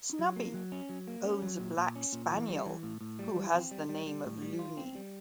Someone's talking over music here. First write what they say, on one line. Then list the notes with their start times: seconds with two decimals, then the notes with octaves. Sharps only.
Snubby owns a black spaniel, who has the name of Loony.
0.19 F#3
0.36 A#3
0.54 F#3
0.72 C#4
0.89 F#3
1.07 A#3
1.24 C#4
1.42 F#3
1.60 A#2
1.77 A#2
1.96 C#4
2.13 A#2
2.31 E3
2.48 G3
2.66 E3
2.83 A2
3.01 A2
3.19 G3
3.36 E3
3.54 C4
3.71 G3
3.89 G3
4.07 G3
4.25 A2
4.42 G3
4.59 F4
4.77 C4
4.95 G3